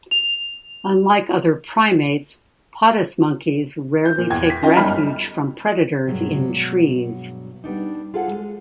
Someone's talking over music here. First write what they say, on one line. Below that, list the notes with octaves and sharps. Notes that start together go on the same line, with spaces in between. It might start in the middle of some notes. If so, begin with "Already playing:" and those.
Unlike other primates, patas monkeys rarely take refuge from predators in trees.
F7
G6
A#2
E2 G5 G#6
B6
C#4 F4 D#5 G5
G1 F#2 G3 D#4 B5 F6
G2 B2 F#3 G#3
G3 B3 D4 D#4
F4 F#4 G#4 A4 C5 F#5
G#3